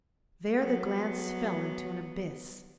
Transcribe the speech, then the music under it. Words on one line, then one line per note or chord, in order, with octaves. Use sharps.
There the glance fell into an abyss.
F#3 B3